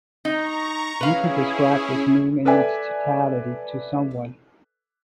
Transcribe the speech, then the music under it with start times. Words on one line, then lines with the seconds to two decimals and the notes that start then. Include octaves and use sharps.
You could describe this meme in its totality to someone.
0.25 D#4 A#5 C#6
1.01 C#4 E4 G#4 B4 F5
2.45 A4 B4 D5 E5 G#5